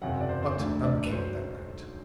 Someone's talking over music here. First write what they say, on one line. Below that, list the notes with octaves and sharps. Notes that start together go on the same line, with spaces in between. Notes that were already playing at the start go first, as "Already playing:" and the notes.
But none came that night.
F#1 E2 C3 F#3 F#5
D5
C5
C5
E1 D2 D3 A3 D5
D5
B4
B1 B2 F#3 C5